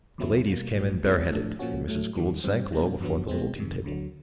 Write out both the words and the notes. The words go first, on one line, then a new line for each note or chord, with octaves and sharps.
The ladies came in bareheaded, and Mrs. Gould sank low before the little tea-table.
D#2 C#3 F#3 B3 E4
B2 G3 A#3
A1 A2 F#3
C2 C3 F3 G#3 C4
A2 F3 A3 D4
A#2 F3 A#3 C#4 F#4
A2 F#3 A3
D#2 D#3 G3
G2 D#3 G3 C4
B2 G3 A#3 D4
G1 F2 D3 F#3 B3
B2 G#3 C4
F2 C3 D#3
D2 D3 F#3